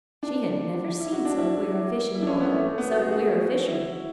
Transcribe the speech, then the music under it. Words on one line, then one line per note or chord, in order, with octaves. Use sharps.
She had never seen so queer a fishing-pole--so queer a fisherman.
D4
E4
F#4
D4
E4
E4
D4
C#4
B3
A3
A3
B3
F#4
G#4
F#4
E4